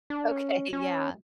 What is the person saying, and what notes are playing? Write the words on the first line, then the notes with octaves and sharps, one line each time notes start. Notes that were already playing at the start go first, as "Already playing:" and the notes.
Okay, yeah.
D4
C#4
C#4